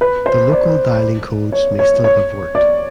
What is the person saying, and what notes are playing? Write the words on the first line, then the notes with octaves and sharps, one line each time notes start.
The local dialling codes may still have worked.
B4
C5
D5
C#5
C#5
C#5
D5